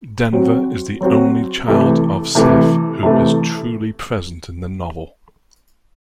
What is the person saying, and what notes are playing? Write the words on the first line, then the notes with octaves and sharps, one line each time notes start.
Denver is the only child of Sethe who is truly present in the novel.
F#3 C4 F#4
F#3 C4 F#4
C3 E3 A3
C3 E3 A3
C3 E3 A3